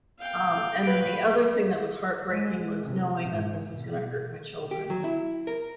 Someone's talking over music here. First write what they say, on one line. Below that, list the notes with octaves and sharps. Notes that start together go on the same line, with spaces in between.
Um, and then the other thing that was heartbreaking was knowing that this is gonna hurt my children.
F5 G5
B4 D7
G#3
C3
G#2
B2
G4
F#3
E4
A#4